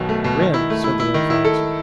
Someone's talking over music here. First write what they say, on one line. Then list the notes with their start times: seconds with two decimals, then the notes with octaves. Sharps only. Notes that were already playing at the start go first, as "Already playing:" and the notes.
"Rim," said the Red Fox.
Already playing: B1 B2 D#3
0.09 A3
0.24 B2
0.40 D#3
0.54 E4
0.70 A3
0.84 E4
1.00 E4
1.14 D#3
1.30 E4
1.45 A4